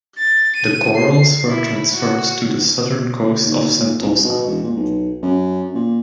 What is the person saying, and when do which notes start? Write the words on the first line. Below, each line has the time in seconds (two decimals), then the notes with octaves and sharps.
The corals were transferred to the southern coast of Sentosa.
0.18 A6
0.56 D#7
0.95 C7
1.48 E4
1.93 F#4
3.43 D#2
3.78 A#2
4.01 C2
4.24 B2
4.47 E1
4.64 A#2
4.76 B1
5.22 F#2
5.75 A#2